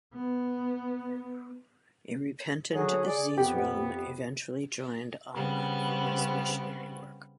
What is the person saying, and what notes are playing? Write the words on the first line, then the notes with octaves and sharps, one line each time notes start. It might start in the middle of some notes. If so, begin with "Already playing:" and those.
A repentant Zeezrom eventually joined Alma in his missionary work.
B3
D3 F#3 G#4
G#4 D5
F2 B3 G4
C#3 G3 B3 C4